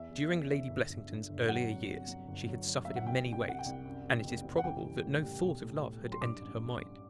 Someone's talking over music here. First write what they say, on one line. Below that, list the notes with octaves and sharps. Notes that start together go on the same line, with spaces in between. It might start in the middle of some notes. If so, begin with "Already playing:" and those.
During Lady Blessington's earlier years she had suffered in many ways, and it is probable that no thought of love had entered her mind.
Already playing: E2 E5
E2
E2
D3
G1
G1
D3
G1
F#3 F#5
C3
C3
F#3
G1
F#3
F#3
F#3 E5
F#5
C2 G5
C2
G5
C2 F#5
G5
C2
F#2
F#2
F#1
F#1
F#5
E3 G5
G3
A2
G3
B1
A2
A2
F#3
C6
G2 D6
A1